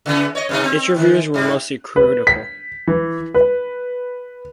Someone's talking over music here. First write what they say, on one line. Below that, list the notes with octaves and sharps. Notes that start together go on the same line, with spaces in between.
Its reviews were mostly critical.
C#3 E3 B3
C#5 D#5
G2 C3 D#4
C4
D#3
G#2 G3
B4
B6
E3
B4